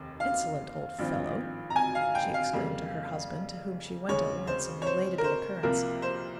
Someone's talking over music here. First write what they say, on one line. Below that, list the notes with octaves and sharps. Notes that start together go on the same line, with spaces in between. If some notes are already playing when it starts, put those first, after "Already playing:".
"Insolent old fellow!" she exclaimed to her husband, to whom she went at once and related the occurrence.
Already playing: F1 D#2 D#3
F5
G#1 G2 F3 C4
A#5
G#5
F5
G5
F5
F2 C#3 G3 A#3
D#2 C#3 G#3 C#5
C5
C#5
C5
A#4
C5
C2 C3 F3 A#3 A#4
C5